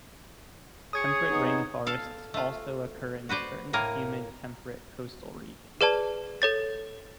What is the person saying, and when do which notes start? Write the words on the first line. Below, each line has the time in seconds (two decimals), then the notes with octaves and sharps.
Temperate rain forests also occur in certain humid temperate coastal regions.
0.93 G#4 C#5 D#6 G#6 C#7
1.30 B3 D#4
1.87 A4 F5
2.34 A3 F4
3.29 F#4 B4 C5 D5
3.73 A2 A#3 A#4 G#5
5.81 G#4 B4 D5 A5
6.42 A4 C#5 A6